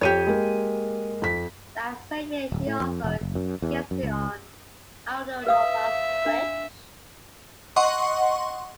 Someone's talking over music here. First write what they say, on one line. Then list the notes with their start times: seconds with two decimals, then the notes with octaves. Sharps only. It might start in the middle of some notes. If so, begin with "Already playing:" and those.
That same year, she also guested on Aldo Nova's "Twitch".
0.01 F2 G4 C#5 D#7
0.27 G#3 A#3
1.22 F2 B6
2.52 D1
2.67 A2
2.80 F2
3.04 E1
3.21 F#1
3.35 F#2
3.62 E2
3.91 F#2
4.03 C#2
5.47 B4 E5 F5 D#6
6.26 D4
7.76 D#5 F#5 C6 C#6